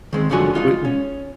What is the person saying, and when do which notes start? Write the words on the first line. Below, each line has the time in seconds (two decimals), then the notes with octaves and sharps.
Wa u
0.13 D#3 G#3 C4
0.29 C#2 F#2 D3 F3 F#4 G#5
0.55 G#3 D#4 F4
0.85 C#4